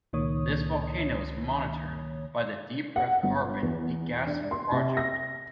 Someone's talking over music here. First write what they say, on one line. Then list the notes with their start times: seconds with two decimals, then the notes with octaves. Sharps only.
This volcano is monitored by the Deep Earth Carbon Degassing Project.
0.13 C#2 A#2 D#3 A#3 C#5 D#6
2.96 F#5
3.23 G1
3.63 E2
4.27 D4
4.51 C6
4.72 C3
4.97 A#6